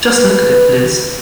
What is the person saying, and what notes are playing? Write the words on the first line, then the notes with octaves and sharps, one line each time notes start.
Just look at it, Liz.
B4